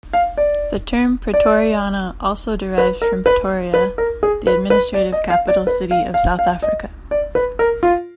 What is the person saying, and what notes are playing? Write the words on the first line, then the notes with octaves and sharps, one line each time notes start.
The term "Praetoriana" also derives from Pretoria, the administrative capital city of South Africa.
F5
D5
D5
B4
A#4
B4
B4
A#4
G#4
B4
B4
D5
D#5
F5
D5
B4
F5
F5
F5
D#5
D5
B4
A#4
F4